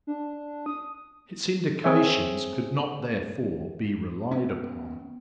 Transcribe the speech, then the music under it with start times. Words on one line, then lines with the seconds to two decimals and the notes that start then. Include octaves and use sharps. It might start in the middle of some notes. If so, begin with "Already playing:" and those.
Its indications could not, therefore, be relied upon.
0.07 D4
0.66 D#6
1.84 C4 G#4 C#5 E5
4.31 B3 C#4